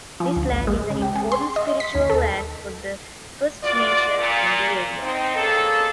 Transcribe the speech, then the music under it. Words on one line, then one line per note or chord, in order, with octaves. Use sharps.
This land is an important spiritual land for the First Nations in the area.
F3
D2
A1
G#3
C#3
G4
G#4
C6
D#5
B6
D#2
A4
E2 F4 F#4 D5
A#2
C4 D#4
A#3 C#4 G#4 A4